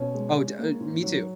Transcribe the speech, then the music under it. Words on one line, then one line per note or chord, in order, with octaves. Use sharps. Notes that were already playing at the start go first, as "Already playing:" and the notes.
Oh, d uh, me too.
Already playing: B2 C#4
G#3
G#3
A#3
G#2
F#3